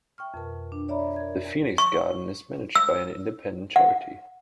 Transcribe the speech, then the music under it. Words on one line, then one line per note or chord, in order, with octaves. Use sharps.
The Phoenix Garden is managed by an independent charity.
E5 G5 C#6 F6
F2 B2 A#4
D4
C#5 D5 E5 A#5 B5
A#4 G#6
C#6
E6
F#5